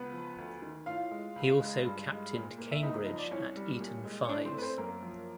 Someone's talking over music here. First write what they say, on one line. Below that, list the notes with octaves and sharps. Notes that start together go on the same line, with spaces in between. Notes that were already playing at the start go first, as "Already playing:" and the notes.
He also captained Cambridge at Eton Fives.
Already playing: C#2 B3 B4
F3
D2
D#3
A2 F4 F5
G#3
C#2
G#3
G2
G#3
A#2
A#3
E5
C#2 D#4 D#5
F3 D#5
D5
C2 C#4 C#5
G3
A#2
G#3
C#5
A2 D4 D5
C4 C5
A3 B4
C4 C5
F#2 A#3 A#4
F3